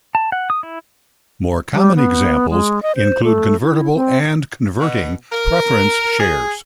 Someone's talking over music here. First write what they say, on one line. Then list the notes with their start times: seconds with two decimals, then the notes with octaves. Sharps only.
More common examples include convertible and converting preference shares.
0.15 A5
0.32 F#5
0.50 D#6
0.63 E4
1.73 G3
1.96 B3
2.50 G#3
2.82 D#5
2.96 C5
3.24 A3
3.61 E4
3.95 C4
4.80 B2
5.32 A#4
6.20 G#4